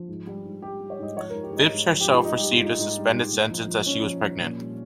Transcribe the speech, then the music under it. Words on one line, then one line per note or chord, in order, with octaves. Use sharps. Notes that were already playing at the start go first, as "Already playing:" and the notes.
Phipps herself received a suspended sentence as she was pregnant.
Already playing: F3
G#2
G3
G#2
G3 G4
G3
C#5
G#2 D#5
F3 C#5
G#2 A#4
G4
G#2 D#4
G#2
F3
G4
G#2
F4
G3 D#4
G4
G3
F4
G#2 D#4
G#2 D#4
G3
G#2
A#2
F3
F3
F3 C#4
F3
F3
A#2
G3